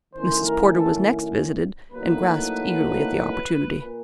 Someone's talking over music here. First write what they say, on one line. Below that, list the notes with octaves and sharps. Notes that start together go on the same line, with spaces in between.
Mrs. Porter was next visited and grasped eagerly at the opportunity.
D#3 F#3 A3 C#4 E4 C5
A#4
A4
A2 F#3 A#3 D#4 B4
A#2